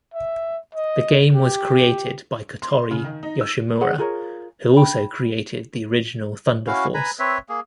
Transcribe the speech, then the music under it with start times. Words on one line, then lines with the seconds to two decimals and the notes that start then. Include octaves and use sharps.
The game was created by Kotori Yoshimura, who also created the original "Thunder Force".
0.14 E5
0.75 D#5
1.34 G4
2.62 C6
2.91 C#3
3.04 D#3
3.23 D#4
3.41 E6
3.81 G#4 F#5
3.98 F4 G#4 A#4 C#5
4.76 G5 B5
6.67 C#4 E4 F#4 F5
6.94 B4 G#5 A#5 B5
7.19 C4 B4 C#5 E5
7.49 A#3 G#4